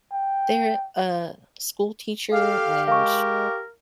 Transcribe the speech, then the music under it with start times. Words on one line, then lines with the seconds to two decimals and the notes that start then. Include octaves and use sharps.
They're a school teacher, and
0.12 G5
2.32 G4 A4 F5
2.88 G#3 A#4 F5 C#6